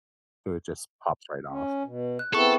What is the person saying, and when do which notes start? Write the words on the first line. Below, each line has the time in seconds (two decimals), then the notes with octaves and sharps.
So it just pops right off.
1.49 C#4
1.84 B2
2.19 F#6
2.33 B3 C4 E4 G#4 A4 C#6